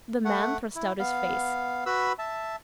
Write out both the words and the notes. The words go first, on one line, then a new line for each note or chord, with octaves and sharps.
The man thrust out his face.
A3 F#5
E4
B3 F5
F#4 B4 B5 E6
E5 A5